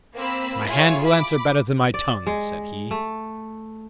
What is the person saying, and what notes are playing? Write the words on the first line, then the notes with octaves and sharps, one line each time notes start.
'My hand will answer better than my tongue,' said he.
A#3 C4 B5 E6
E4 F4 G#4 C#5
B5 D6
D5
G#3
A3